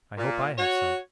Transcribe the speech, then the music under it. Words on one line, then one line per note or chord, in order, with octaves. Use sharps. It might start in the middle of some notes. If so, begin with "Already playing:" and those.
I hope I have some.
A#2
F#4 C#5